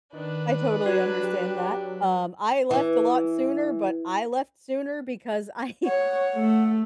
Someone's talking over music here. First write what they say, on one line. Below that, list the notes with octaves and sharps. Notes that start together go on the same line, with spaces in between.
I totally understand that. Um, I left a lot sooner, but I left sooner because I
D#3 D4 B4
F#3 F#4
G4
E3
C#5 F#5
A3